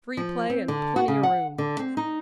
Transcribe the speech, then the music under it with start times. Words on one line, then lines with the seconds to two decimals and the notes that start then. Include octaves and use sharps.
"Free play and plenty of room."
0.17 F3
0.50 C4
0.68 D3
0.96 F#4
1.08 C#3
1.23 F#5
1.58 D3
1.79 C4
1.97 D#4